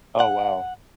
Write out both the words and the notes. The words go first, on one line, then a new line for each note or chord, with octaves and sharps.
Oh, wow.
F#5